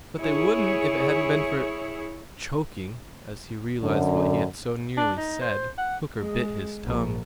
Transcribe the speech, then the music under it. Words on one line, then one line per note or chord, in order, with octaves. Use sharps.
"But they wouldn't if it hadn't been for----" Choking, as he realized what he had so nearly said, Hooker bit his tongue.
E4 G#4 C#5
F#2 D3
D4
D#4
C5
F#5
G#3
A#1